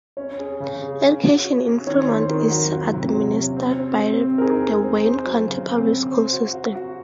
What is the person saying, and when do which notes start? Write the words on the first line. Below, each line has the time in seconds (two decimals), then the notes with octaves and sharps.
Education in Fremont is administered by the Wayne County Public School system.
0.17 C#4 C#5
0.39 G#4
0.60 C#3
0.82 G#4
1.02 C#4
1.23 F#4
1.44 F#4
1.67 C#4
1.87 D#3 C#5
2.08 D#3 C5
2.29 D#3 A#4
2.50 F#3 F#4
2.72 F#3 F4
2.94 C3
3.14 F#3
3.36 C#4
3.56 C4
3.79 C4
4.00 C4
4.21 C4
4.38 A#4
4.42 D#4 G#4
4.63 C4
4.84 C5
5.05 C5
5.26 F#3
5.47 C#3
5.70 C4
5.91 C#3
6.11 C5
6.33 F#4
6.54 F#4
6.75 F#4